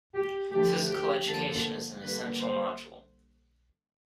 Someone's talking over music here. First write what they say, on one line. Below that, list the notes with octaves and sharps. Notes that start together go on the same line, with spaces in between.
Physical Education is an essential module.
G4
D3 F3 A3 G4
G4
D3 F3 A#3 A4
D3 G3 A#3 B4
C5